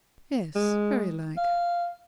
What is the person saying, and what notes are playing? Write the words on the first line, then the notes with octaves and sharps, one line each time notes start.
'Yes, very like.
G#3
F5